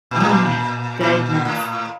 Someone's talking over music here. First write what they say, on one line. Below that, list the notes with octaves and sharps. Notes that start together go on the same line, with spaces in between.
Oh my goodness.
A#2
A2
A#2
A#2
A2